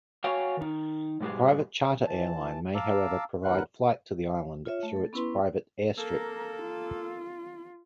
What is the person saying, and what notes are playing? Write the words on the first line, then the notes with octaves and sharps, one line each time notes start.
Private charter airline may however provide flight to the island through its private airstrip.
F#4 C#5 F5 G5 G#5
D#3 D#4
G#2 B2 G3 G#3 G4 G#4
E3 A5
F5 A5 A#5 D6 E6
D#2 A#4 B4 F#5 F#6
F4 C#5 E5
A3
A4
B3 C#4 E4 B4 C6
A#3 A4 A#4
F4